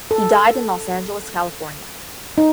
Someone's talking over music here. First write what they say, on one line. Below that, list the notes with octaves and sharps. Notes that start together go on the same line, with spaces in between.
He died in Los Angeles, California.
A4
D#4